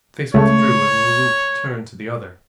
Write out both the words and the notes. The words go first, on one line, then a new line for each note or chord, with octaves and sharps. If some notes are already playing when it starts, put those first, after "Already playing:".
The face withdrew and Le Loup turned to the other.
C#2 C#3 A3 C#5